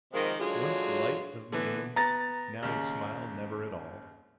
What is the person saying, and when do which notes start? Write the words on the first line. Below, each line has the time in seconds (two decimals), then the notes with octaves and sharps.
Once light of mien, now he smiled never at all.
0.12 C3 D#3 F3 G#3 A#3
0.39 D3 F#3 G#3 F4 G#4 C#5
1.52 D3 E3 B3
1.96 B3 A#5 A6
2.63 D#2 C#3